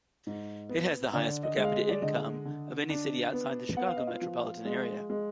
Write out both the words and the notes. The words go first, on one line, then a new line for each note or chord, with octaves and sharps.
It has the highest per-capita income of any city outside the Chicago metropolitan area.
G#2
B3
D3 D5
D#5
G#3
F5
D#5
D5
D3 D#5
D3
D4
B3
B3 F#5
F5
D#5
F4 F5
F3
G#3
G#3